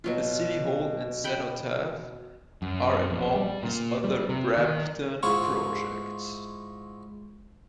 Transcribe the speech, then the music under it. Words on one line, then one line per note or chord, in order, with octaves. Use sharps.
The City Hall and Cenotaph are among his other Brampton projects.
B2 F#3 F4
F#5 G5 B5
F#2
A#1
G3
A#2
G3
C3
D#3
G#2 E4 F4 C#6